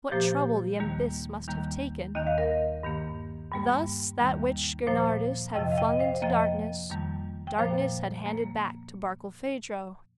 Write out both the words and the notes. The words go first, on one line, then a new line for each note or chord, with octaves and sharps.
What trouble the abyss must have taken! Thus that which Gernardus had flung into darkness, darkness had handed back to Barkilphedro.
A#2 F3 A#3 G4 C5
D#2 D#3 G3 A#3
D#2 D#3 G3 A#3
D#2 D#3 A#3 D#5
F5
A#4 D#5
G2 D#3 A#3
G2 G3 A#3
D#2 D#3 G3 A#3
A#2 F3 A#3 C5 F5
F2 C3 F3 D#5 G5
F5
D#5 G5
C5 F5
F2 F3 A#3 D#5 G5
F2 D#3 G3 A#3
G5
A#2 F3 A#3 C5 F5
A#3